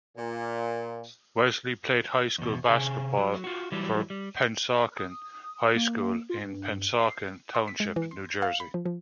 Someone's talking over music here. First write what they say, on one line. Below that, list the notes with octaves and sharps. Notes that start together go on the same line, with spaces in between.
Wesley played high school basketball for Pennsauken High School in Pennsauken Township, New Jersey.
A#2
E2 B2
C3 G#4 G#5
F#3
F4 F#4
E3 F#3 G3
G3
D#6
A#3
F4
G2
C7
C6
B6
G#3
E3
C6
G6
F5
B5
F3
F3